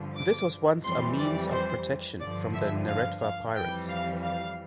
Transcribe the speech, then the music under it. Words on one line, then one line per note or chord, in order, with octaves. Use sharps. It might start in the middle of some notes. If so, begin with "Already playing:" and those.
This once was a means of protection from the Neretva pirates.
Already playing: G2 D3 F3
D6
F2 E3 G3 C6
D5
C5
G2 D3 F3 D5
E5
F5
F5
F2 E3 G3 G5
F5
F5